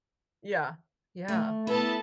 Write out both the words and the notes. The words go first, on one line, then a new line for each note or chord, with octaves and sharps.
Yeah, yeah.
A3
B3 E4 A4 A5